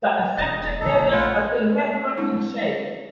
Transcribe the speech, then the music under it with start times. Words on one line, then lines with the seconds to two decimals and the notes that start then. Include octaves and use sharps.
The affected areas are irregular in shape.
0.38 E1 D#5
0.81 A#1 D#4 A4
1.12 A3 F4 B4 F#5
2.17 G#3 C4 D4 E4